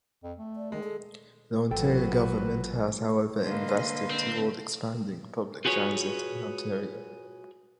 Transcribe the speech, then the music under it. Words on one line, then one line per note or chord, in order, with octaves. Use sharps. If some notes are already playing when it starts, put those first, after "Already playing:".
The Ontario government has however invested toward expanding public transit in Ontario.
F2
A3
D5
D#3 G#3
A4
A1 B2 F3 F#3 F#4 A4 B4 G5
D3 A#3 B4 D#5 F5 C6
C4
F4 F#4 G#4 B4 C#5